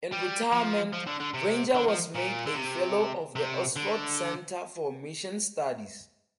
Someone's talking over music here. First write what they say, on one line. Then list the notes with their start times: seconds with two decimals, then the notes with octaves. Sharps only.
In retirement, Ranger was made a fellow of the Oxford Centre for Mission Studies.
0.12 G3
0.53 F3
0.93 F3
1.07 D3
1.20 D3
1.34 C3
1.74 D3
1.88 F3
2.15 A#2
2.46 D3
2.55 C3
3.36 C3
3.76 D3